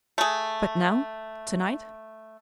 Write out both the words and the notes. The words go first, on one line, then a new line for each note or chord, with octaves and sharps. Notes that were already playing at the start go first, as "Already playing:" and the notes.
"But now--tonight?"
A3 G#4